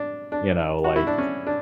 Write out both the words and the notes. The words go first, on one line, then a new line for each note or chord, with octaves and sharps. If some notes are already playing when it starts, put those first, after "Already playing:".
You know, like
Already playing: D4
D4
F#4
E4
D4
C#4
D4